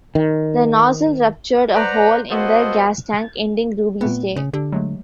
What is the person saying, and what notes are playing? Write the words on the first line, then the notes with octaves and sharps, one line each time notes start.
The nozzle ruptured a hole in the gas tank, ending Ruby's day.
D#3
B4 C5 D5 F#5 A#5
A#3 B3 F#4 A4 C5 D#5
A#2 A3 B3 C4
C#3
D3 G4
F#3 G#3 A3